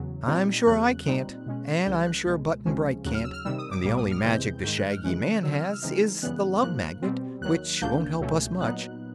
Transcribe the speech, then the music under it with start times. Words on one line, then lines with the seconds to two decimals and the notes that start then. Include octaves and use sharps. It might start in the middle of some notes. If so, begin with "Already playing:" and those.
"I'm sure I can't; and I'm sure Button-Bright can't; and the only magic the shaggy man has is the Love Magnet, which won't help us much."
Already playing: E2 C#3 F#3
0.28 A#2 G3 C4 D#4
0.67 E2 C#3 F#3 F#6
1.07 A#2 G3 C4 D#4
1.46 B2 G#3 C#4
1.86 C#2 C#3 E3 G3 G6
2.06 F#6
2.26 C#2 B2 G#3
2.66 C#2 C3 F3 G#3 C#4
3.05 D#2 C#3 F#3 F#6
3.15 F6
3.25 E6
3.33 F6
3.45 C3 D#3 G3 E6
3.58 D#6
3.71 D6
3.84 C2 A#2 G3 A#3 D6
3.97 D#6
4.11 F6
4.24 E2 C3 E3 G#3 C4 G6
4.63 G#2 D#3 G#3 G6
4.78 F#6
4.91 F6
5.04 C#3 E3 G#3 C#4 F#6
5.43 C3 D#3 F#3 E6
5.54 F6
5.64 E6
5.73 F6
5.83 C#3 E3 G#3 C4 D#4
6.22 F#2 C#3 E3 G3 B3 F#6
6.62 G#2 F3 A#3 F#6
7.02 B2 G3 C4
7.41 D#2 D#3 F#3 F#6
7.76 F#6
7.82 C#2 C#3 F3 A#3 D4 G6
8.21 C#2 B2 F#3 A3 C#4
8.61 A#2 F#3 B3 D#4 F#6